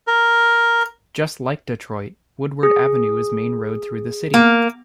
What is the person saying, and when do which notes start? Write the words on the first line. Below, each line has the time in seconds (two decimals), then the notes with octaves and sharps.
Just like Detroit, Woodward Avenue is the main road through the city.
0.07 A#4
2.63 G#4
4.34 A#3